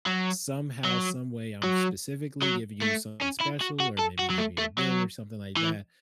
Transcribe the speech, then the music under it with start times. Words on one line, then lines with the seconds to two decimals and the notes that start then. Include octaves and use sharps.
"Somehow, someway I'm specifically giving you something special, or maybe giving you a deal, or something like that,
0.06 F#3
0.85 F#3
1.63 F#3
2.42 F#3
2.81 A3
3.21 C#4
3.40 E4
3.61 F#4
3.80 F#4
3.99 A4
4.19 F#4
4.30 F#3
4.38 A3
4.58 A3
4.78 F#3
5.57 E3